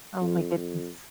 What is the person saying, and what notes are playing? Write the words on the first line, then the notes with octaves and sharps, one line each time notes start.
Oh my goodness.
F2
F2